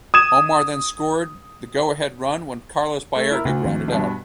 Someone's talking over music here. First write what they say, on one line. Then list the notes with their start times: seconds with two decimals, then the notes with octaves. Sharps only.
Omar then scored the go-ahead run when Carlos Baerga grounded out.
0.14 D#6 G#6 E7
3.15 A3
3.31 E4 A#4
3.45 D2 C#3
3.65 D#3 F3 C4
3.88 G2 B2